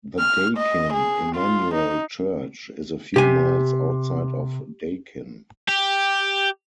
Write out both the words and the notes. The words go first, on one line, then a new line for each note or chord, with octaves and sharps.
The Daykin Immanuel Church is a few miles outside of Daykin.
F6
D#5
G#4
F4
D#4
C3 G4 G#5
G4